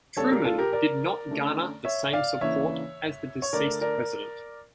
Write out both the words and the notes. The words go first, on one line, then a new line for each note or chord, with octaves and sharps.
Truman did not garner the same support as the deceased president.
C#3 G3 A#3 D4 A4 C#5
G4 A#4
F4 A4
G4 A#4
A#4 D5
D3 A3 C#4
C#5 E5
D5 F5
C#3 E3 A#3 D4 C#5 E5
C#5
D3 A3 D4 A#4 D5
A#4 D5